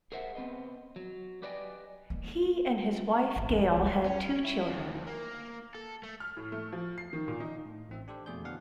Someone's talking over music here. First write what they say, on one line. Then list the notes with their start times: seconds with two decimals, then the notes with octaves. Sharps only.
He and his wife Gail had two children.
0.12 G#4 A#4 C5 E5 F#5
0.35 B3 C4 B4 D#5
0.96 F#3
1.42 G4 B4 D5 D#5 G5 G#5
2.10 A#3
3.36 G#1
3.49 F2
3.76 C#2
4.05 C#4
4.44 E4
4.69 D2
5.07 A#3
5.75 A4
6.04 A3
6.20 F6
6.37 A2
6.52 A3
6.72 F3
6.98 C7
7.13 D#3
7.28 A#2
7.40 D#4
7.66 A2
7.89 A1 C4 E5
8.08 D4 G4 A4 C5
8.26 F2 B2 A3 G#4 D5 G6
8.43 B2 D3 E3 D4 F5 F#5